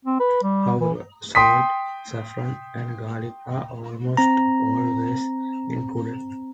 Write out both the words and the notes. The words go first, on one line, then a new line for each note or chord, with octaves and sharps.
However, salt, saffron and garlic are almost always included.
C4
B4
G3
E3
G5 C6 D#6 B6
C4 A#5